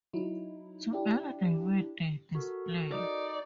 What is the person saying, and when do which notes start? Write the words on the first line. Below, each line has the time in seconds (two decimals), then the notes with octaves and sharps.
Together they made the display.
0.13 F#3 D#4 E4
0.93 D4 E4 G4
2.35 F#4 A4 A#4
2.92 D#4 D5